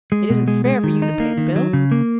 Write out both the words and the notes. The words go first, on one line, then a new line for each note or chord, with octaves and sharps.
It isn't fair for you to pay the bill.
G#3
B2
G#3
G#3
D#3
D#4
A#3
D#3
F#3
C#3
A#3